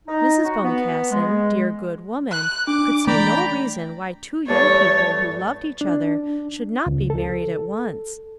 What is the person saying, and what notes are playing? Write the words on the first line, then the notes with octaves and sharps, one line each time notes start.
Mrs. Boncassen, dear good woman, could see no reason why two young people who loved each other should not be married at once.
D#4
F#4
B3
G#3
F#6
D4 D6
E3 A3 D5 G5 A#5 B5
E2 G2 A3 C#5 A6
D4
C#2
A4